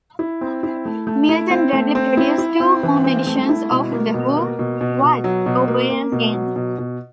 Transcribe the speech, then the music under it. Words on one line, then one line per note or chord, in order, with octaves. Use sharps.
Milton Bradley produced two home editions of "The Who, What, or Where Game".
E4
C4
E4
A3
A3
E4
C4
A3
C4
E4
E4
C4
E3
C4
A3
E4
B2
A#3
B2
A#3
B2
B2
B2
F#3
B2
A#3
A#3
B2
F#3
B2
B2